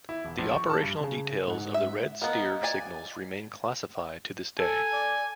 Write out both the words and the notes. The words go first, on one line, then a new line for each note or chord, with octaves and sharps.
The operational details of the Red Steer signals remain classified to this day.
E4
E1
A#1
C#6
A5
G2
C#3 G#4
G#2 F#5
E5
B3 A#4 D#5 F5 A#5
D5 G#5
A4 G#5
D5